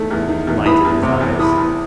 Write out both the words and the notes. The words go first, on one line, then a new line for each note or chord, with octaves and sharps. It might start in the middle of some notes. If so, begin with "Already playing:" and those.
Light in his eyes.
Already playing: E2 D#3 A3
E2
D#3
E2
E3 B5 D#6
E2
C3
E2
E3 B5 D#6
E2